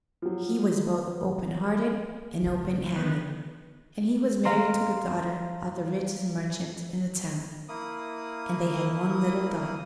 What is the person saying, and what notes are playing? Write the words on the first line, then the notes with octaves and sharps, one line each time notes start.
He was both open-hearted and open-handed, and he was married to the daughter of the richest merchant in the town, and they had one little daughter.
F3 F#3
C#3 F3
D#3 B3
F5 A#5 C6
A#3 E4 D#6